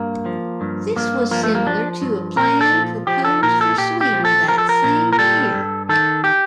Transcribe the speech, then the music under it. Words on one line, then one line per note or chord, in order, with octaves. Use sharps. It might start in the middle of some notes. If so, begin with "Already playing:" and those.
This was similar to a plan proposed for Sweden that same year.
Already playing: G2 A#3
F3
G2
G2 A#3
F3 A#3
A3
A#3
F3 D4
G2
A#2 A#4
A4
F3
F3 G4
A4
A#2 A#4
A4
A#2 G4
G4
F3
A4
F3 A#4
A4
A#4
A#2
A#4
G3 A4
G2
D#3 A4
G4